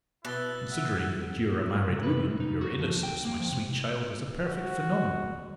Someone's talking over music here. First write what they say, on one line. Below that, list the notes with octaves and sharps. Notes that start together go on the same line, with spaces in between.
Considering that you are a married woman, your innocence, my sweet child, is a perfect phenomenon!
B2 E4 B4 F#6 A6 G7
E5 F#5
C3
B4
C3
D#4
F#4
F3
G5
A#3
F3
C3
F#4